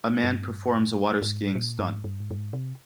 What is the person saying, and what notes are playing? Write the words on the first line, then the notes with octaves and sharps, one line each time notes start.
A man performs a waterskiing stunt.
G2
G#2
A#2
G2
G#2
G2
G#2
G2
G#2
C3